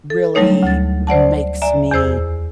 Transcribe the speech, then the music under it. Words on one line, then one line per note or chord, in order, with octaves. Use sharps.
really m makes me
A4
F#3 G3 A3 D#4 C#5
D2 A6
C5 D5 F#5 A5
D5 E5 G#5 A#5
E2 G#4 C5 E6